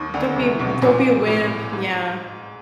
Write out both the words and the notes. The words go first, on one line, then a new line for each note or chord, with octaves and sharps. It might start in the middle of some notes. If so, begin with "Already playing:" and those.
Don't be m don't be a wimp, yeah.
Already playing: D#2 D#3
D2 D3
C2 C3
B1 B2
A#1 A#2
A2
G#2